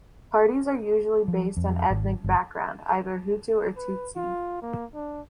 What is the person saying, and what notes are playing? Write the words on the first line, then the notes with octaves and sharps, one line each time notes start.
Parties are usually based on ethnic background, either Hutu or Tutsi.
F3
F2
G#1
G1
B4
F4
A#3
D4